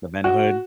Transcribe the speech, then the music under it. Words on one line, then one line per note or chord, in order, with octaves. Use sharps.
The Vent-A-Hood?
F#4